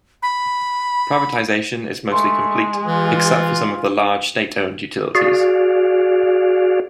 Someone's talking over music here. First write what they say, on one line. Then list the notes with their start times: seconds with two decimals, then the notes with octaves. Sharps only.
Privatization is mostly complete, except for some of the large state-owned utilities.
0.23 B5
2.12 G#3 A3 G#4 C6
2.86 E3 F4
5.15 F#4 G#4 D5 F5